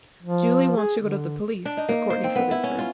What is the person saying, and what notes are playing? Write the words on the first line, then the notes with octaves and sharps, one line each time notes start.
Julie wants to go to the police, but Courtney forbids her.
F3
G#4
D3
D4
D#4
A#3
C5
C4
B3
E4
C#4
F4